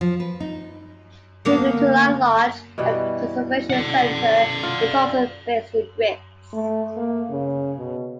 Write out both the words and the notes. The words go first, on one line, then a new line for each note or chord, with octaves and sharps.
Ukutula Lodge and conservation center is also based in Brits.
F3
B4
D#4
D3 A#3 B3
B2 E3 G3
D5 F#5
F4
A3
A#3
C#3
B2